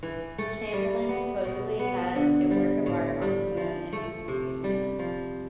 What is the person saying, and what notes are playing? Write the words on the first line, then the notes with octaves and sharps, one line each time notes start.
Chamberlain supposedly has a work of art on the moon in the Moon Museum.
E3
A3
G3
B3
B2
B3
D3
G3
A2
G3
F3
A3
C3
G3
F3